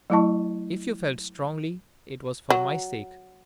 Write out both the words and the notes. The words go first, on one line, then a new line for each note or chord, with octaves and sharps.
If you felt strongly, it was for my sake.
F#3 A3 E4 D#5 A5 C#6
F#3